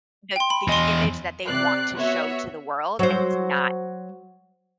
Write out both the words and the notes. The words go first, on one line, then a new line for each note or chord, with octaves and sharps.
the the image that they want to show to the world, and it's not
G5 C6
B5
E2 D#5 G#5 C6
C3 D5 F#6 C7
B3 F#4 C#5 E5
F#3 C5